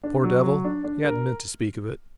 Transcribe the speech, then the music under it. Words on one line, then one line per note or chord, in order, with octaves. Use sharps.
Poor devil--he hadn't meant to speak of it.
D4
F#3
F#3
D4
D4
A#4